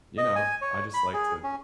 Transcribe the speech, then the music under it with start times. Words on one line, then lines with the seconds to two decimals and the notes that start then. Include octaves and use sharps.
you know, I just like to
0.18 D#5
0.36 G#5
0.61 C#5
0.94 B5
1.14 G#4
1.44 C#4